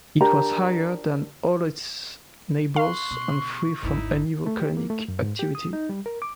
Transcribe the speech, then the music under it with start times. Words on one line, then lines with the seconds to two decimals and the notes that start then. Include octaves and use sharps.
It was higher than all its neighbours and free from any volcanic activity.
0.21 D4 G4 A#4 A#5
2.76 F5 C6 C#6 F#6
3.11 B2
3.83 G#1 E2 D#4 E4
4.46 A3
4.60 G4
4.77 A#3
4.90 A3
5.08 F#2
5.22 G#2
5.39 G4
5.55 D#6
5.73 D#4
5.89 G3
6.06 A#4
6.22 D6